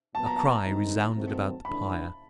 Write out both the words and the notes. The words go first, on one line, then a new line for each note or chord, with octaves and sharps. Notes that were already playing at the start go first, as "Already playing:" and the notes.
A cry resounded about the pyre.
A#2 F#3 B3 A5
A#5
A5
D#3 G#3 C4 D#4
D#3 F#3 A3 C4
F2 C#3 E3 A3 D4 B5